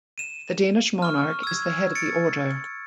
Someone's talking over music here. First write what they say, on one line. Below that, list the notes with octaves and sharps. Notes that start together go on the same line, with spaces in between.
The Danish monarch is the head of the order.
D#7 E7
C#6 F6
E6 G#6
A6 C#7 D7